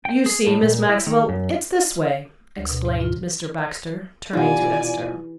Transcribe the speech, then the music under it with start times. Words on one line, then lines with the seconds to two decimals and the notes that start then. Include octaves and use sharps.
"You see, Miss Maxwell, it's this way," explained Mr. Baxter, turning to Esther.
0.05 G5
0.26 G#4
0.47 A2
0.62 A#2
0.89 E4
1.06 D#3
1.29 F#2
2.57 D2
2.71 B2
2.84 G#2
3.00 F4
4.33 B2 E3 D#4 F4 G4 D5 F#5 G#5